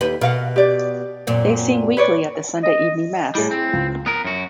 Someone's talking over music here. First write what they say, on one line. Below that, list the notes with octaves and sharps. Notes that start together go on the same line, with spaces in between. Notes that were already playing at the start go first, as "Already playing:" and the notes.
They sing weekly at the Sunday evening Mass.
D#2 G4 B4
B2 A#4 F5 F#5
G4 D5
F#2 A#2 C4
B4 C#5 D5
D#5
A2 G3 E4 G#4
C4
C#2
B3 A#4 D#6
F#2 F#4